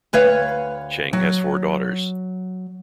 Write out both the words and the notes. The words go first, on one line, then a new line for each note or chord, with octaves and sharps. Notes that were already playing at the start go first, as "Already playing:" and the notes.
Cheng has four daughters.
D2 B4 C#5 F5
F#3